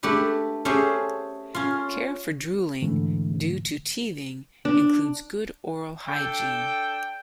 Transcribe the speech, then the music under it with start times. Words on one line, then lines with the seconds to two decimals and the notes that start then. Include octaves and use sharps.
Care for drooling due to teething includes good oral hygiene.
0.03 A3 D4 G4 B4
0.65 A3 C#4 G4 G#4 C5
1.55 C#4 F4
2.82 G#2 D3 E3 A3
4.65 D4
6.08 D4 A4 G5